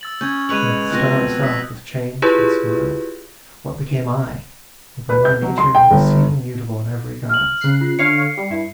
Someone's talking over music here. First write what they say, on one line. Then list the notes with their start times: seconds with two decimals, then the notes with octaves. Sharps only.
And if the star itself was changed and smiled, What became I, who by my nature am Exceeding mutable in every guise!
0.01 E6 A6 F#7
0.21 C#4 G6 G#6
0.49 G#3 B4 C#5 D#7 F7 F#7
0.90 B2 F3 C4 F#6 A#6
1.42 D#6 E6 B6
2.22 E4 F4 G4 G#4 B4 C#5
5.09 B4
5.25 G6
5.42 F#3
5.58 C6
5.75 G5
5.91 G1
7.29 F6 F#7
7.61 C#3 F#6 C7
7.81 F4
7.99 D3 C#5 F5 C7 C#7
8.37 G3
8.50 G2 E4